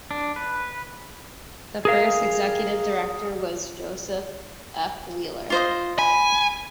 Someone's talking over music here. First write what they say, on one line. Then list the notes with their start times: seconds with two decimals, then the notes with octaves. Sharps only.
The first executive director was Joseph F. Wheeler.
0.11 D4
0.36 B4
1.85 G#4 A#4 F5
5.50 F4 C5 D#5
5.99 G#5 B5